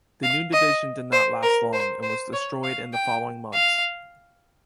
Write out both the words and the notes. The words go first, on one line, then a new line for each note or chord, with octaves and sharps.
The new division did not last long and was destroyed in the following month.
F5
D#5
C5
A#4
C5
C5
C#5
F5
G5
F5